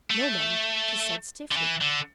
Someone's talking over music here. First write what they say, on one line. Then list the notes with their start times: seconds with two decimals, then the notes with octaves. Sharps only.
"No, ma'm," she said stiffly.
0.10 A3
1.52 D3
1.57 E3
1.82 D3